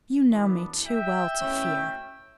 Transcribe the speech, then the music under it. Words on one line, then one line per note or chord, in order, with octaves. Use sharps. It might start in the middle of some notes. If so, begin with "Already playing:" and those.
'You know me too well to fear.'
F#2 E3 B3 D4
E5 G5
B2 A3 C#4 E4